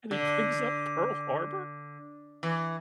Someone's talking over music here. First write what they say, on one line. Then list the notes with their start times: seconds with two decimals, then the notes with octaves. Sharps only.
And he brings up Pearl Harbor,
0.11 D3
2.43 E3